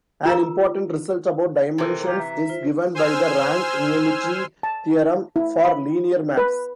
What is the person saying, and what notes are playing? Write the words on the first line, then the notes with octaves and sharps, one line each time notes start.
An important result about dimensions is given by the rank-nullity theorem for linear maps.
F4 A#4 A#5 E6
C3 E3 A4 A#4 C5
F4 G4 C#5 A#5
E5
F4 C5
C5 G#5 C6 E6 F6
A5
E4
B5
B4